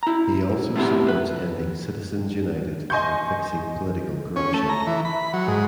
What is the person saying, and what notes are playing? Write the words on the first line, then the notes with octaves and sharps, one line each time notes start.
He also supports ending Citizens United and fixing political corruption.
E4 A#5
B1
A3 B3 C4 E4 G4
B4
D#5 G#5 C6 C#6 G6
C#4
A3
A#5
E3
B5
F#3
G#2